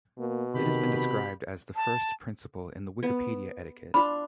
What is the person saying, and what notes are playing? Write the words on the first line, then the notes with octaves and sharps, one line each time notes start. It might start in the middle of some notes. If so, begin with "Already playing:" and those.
It has been described as "the first principle in the Wikipedia etiquette".
B2 A#3
C3 D#3 G4 B5
A5
B3
D4 F4 B5